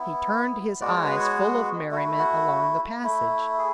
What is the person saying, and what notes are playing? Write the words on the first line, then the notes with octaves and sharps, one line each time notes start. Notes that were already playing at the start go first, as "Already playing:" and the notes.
He turned his eyes full of merriment along the passage.
Already playing: B3 E4
G#3 B3 F#4 D5
C#5
B4
C#5
A3 E4 F#4
F#4
A3 E4
G#4